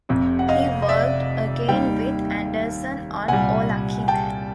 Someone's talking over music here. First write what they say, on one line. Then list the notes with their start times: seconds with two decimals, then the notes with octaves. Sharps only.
He worked again with Anderson on O Lucky Man!
0.09 F1 F2 C3
0.39 F#5
0.49 D#5 F5
0.82 D#5
0.89 D5 E5
1.69 D#2 D#3 G3 F5 G5
3.28 C2 A#2 G3 F#5 G#5
4.08 G5 A5